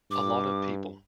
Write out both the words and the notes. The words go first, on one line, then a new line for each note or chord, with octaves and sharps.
A lot of people.
G2 D6